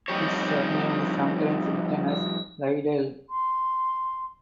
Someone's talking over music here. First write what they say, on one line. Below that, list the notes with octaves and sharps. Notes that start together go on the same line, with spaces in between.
His surname is sometimes written as Lidell.
F2 D#3 G3 G4 C#5
C6